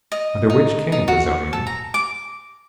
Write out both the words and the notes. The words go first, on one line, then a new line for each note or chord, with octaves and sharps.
Under which King, Bezonian?
D#5
D#4
D#4
F#4
A4
A#5
D6